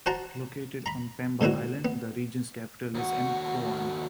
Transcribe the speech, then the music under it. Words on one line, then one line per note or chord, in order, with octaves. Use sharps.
Located on Pemba Island, the region's capital is Mkoani.
F#4 C5 F#5 A5 A#5
A#5 B5
G#2 D3 B3 E4 F#4
B3
D#2 F#4